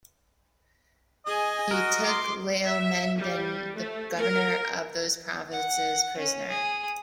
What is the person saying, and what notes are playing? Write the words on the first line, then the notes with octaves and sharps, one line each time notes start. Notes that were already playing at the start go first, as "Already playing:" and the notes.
He took Laomedon, the governor of those provinces, prisoner.
G#4 D#5 G#5 D#6
F#4 A#4
C6 D6
E5
G3
A3
A#4
F#5
C#4
G#4